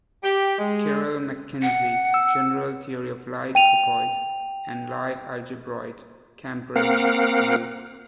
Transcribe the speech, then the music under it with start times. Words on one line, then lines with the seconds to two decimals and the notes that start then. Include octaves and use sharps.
Kirill Mackenzie, "General Theory of Lie Groupoids and Lie Algebroids", Cambridge U.
0.24 G4
0.59 G#3
1.62 F#5
2.14 E6
3.55 G5 D#7 F7
6.76 A#3 C4 A#4 F5 F#5